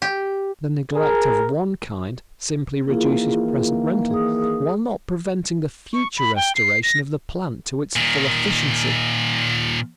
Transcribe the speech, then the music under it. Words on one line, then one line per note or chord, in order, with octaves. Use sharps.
The neglect of one kind simply reduces present rental while not preventing the future restoration of the plant to its full efficiency.
G4
G#4 A#4
D#3 E3 A#3 E4 F4 G#4
G#4 D#6
C#6
B5
G5
C7
A#6
A#2 D#3